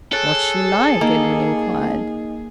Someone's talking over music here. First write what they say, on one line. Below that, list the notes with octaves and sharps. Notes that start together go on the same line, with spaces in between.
"What's she like?" Edwin inquired.
G#4 A4 C#5 F#6 A6
A#3 D#4 D#5